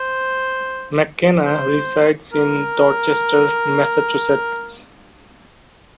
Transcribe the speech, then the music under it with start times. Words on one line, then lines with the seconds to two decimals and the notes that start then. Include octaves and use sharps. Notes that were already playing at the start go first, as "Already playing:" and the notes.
McKenna resides in Dorchester, Massachusetts.
Already playing: C5
1.45 C5
2.33 A#4